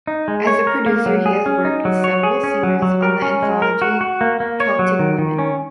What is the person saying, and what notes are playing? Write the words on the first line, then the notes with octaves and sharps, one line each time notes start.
As a producer, he has worked with several singers on the anthology "Celtic Woman".
D#4
G#3
C#5
A#4
A#3
F#3
G#4
C#4
D#4
F#3
C#5
G#4
C#4
F#3
F#3
A#4
C#4
G#3
A#4
F#4
F#4
A#3
A#3
C#5
F#3
D#3
D#3
C#4